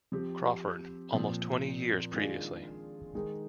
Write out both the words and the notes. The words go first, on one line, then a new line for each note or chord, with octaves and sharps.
Crawford almost twenty years previously.
F3 C4 G4
A#2 F3 C4
D#3 G#3 D4 F4 G#4
D#3 G#3 D#4 G#4